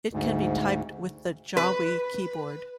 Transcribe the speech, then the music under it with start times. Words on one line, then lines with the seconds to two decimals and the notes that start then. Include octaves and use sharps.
It can be typed with the Jawi keyboard.
0.13 D2 G#2
1.57 B4